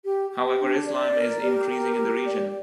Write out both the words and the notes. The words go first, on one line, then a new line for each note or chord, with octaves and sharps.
However Islam is increasing in the region.
G4
G4
D4
D5
A#4
G4
A#4
G4
D5